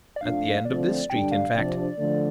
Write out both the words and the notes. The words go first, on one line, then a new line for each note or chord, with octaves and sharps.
At the end of this street in fact.
D5
F2 F3 A3 D4 F4 F5
D3 F3 A3 C4 F4 D5
G2 D3 G3 D4 G5
F5
C3 F3 D4 D5
D3 F3 A3